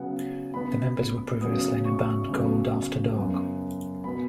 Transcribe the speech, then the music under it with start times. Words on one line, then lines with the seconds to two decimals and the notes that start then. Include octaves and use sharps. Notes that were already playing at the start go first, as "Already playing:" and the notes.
The members were previously in a band called After Dark.
Already playing: C#3 F#3 B3 F#5
0.54 C#3 B3 B5
1.41 C#3 F#3 B3 D#6
1.85 C#6
2.29 C#3 F#3 B3
3.16 F#2 C#3 B3
4.04 B2 B3 B5